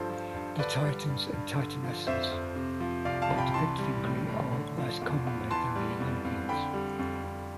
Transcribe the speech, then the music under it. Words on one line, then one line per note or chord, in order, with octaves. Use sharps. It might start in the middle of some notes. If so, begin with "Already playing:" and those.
The Titans and Titanesses are depicted in Greek art less commonly than the Olympians.
Already playing: G2 F3 A4 C5
F3
G2
D3 B4 D5
G3
G2
G2
D3
F3
F2 C5 E5
F2
C3
F3
C2 D5 F5
F5 A5
C2
G5 B5
E3 A5 C6
G3
A2
A2
D3
F3
E2
E2
E3 A5 C6
G3
F2
F2
D3 G5 B5
G3
F2
F2